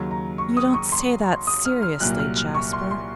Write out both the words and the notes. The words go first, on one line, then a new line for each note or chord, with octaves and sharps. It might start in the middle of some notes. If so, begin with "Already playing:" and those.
'You don't say that seriously, Jasper?'
Already playing: D#2 C#3 F#3
A#5
C#6
D#6
C#6
C6
D#6
F6
F6
C2 A#2 F#3 F#6
F6
F6
C#6
C6
C6